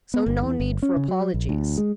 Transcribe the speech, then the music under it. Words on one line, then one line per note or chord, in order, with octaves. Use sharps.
"So no need for apologies."
B3
G1
E2
G1
C#4
C#3
F#3
A#1
D2
G#3